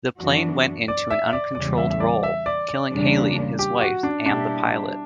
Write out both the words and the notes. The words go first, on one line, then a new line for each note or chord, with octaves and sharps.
The plane went into an uncontrolled roll, killing Halley, his wife, and the pilot.
F#2 E3 B3 D4 F#4
D5
E5
D5
E2 C#3 G3 D5
E5
E5
D5
E5
D5
D5
E2 C#3 G3 A#3 D4
G4
F#4
D4
B2 G3 A#3 D4 E4 G4